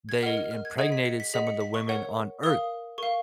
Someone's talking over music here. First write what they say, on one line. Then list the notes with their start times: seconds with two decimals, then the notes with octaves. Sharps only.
they impregnated some of the women on earth.
0.09 G#6
0.23 A#4 D#5 F#5 F6
0.37 F6
0.51 F6
0.65 G#6
0.78 G#4 D#5 F#5 G#6
0.92 B6
1.06 C#7
1.20 B6
1.34 G#4 D#5 F#5 B6
1.47 C#7
1.61 B6
1.74 C#6
1.88 A#4 C#5 F#5
2.43 A#4 F5 D#6
2.98 A#4 F5 C#6